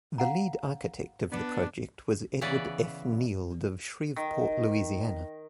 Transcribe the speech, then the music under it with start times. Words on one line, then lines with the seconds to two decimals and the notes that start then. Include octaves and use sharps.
The lead architect of the project was Edward F. Neild of Shreveport, Louisiana.
0.18 F5 F#5 A#5
1.32 B3 D4
2.41 C#3 E3 B3 B4 D5
4.16 D#3